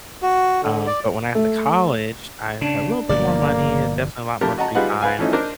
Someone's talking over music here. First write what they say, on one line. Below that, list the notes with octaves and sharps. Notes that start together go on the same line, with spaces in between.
Um, but when I got to college, I had a little bit more money, definitely a lot more free time,
F#4
D3
D5
A3
C#3 D4
G1 B2 F3 A#3 D5
F2 A3 G4 A#4 A5
F#4 D#5 F#5 A5 A#5
G3 F4 G#4 B4 D#5 F#5
B4 F5 G#5
E3 F3 A3 C#4 D#4
D4 A#4 C5 D#5